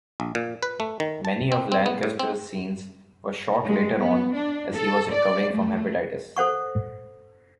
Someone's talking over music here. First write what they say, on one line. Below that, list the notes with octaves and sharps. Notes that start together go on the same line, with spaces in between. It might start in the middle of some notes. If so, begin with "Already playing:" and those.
Many of Lancaster's scenes were shot later on as he was recovering from hepatitis.
A#1
A#2
B4
A3
D#3
A5
C4
C4
B3
A2
C4
G#3
B3
D4
A4
D5
A3
A4 C5 F#5 C#6